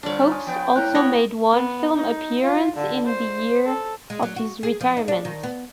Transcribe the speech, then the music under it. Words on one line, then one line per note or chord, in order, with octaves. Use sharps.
Cokes also made one film appearance in the year of his retirement.
F2 A#2 D3 G3 D4 C#5 D5
G#5 D#6
F3 B3 G5
G#2 E4 A#4 C#5 F#6
B3 C#5 A#6
B3
D#4
F4
D3
C5
A4
G#3
F#3
F#4
G#4
F3
D#4
D4
D#3
B3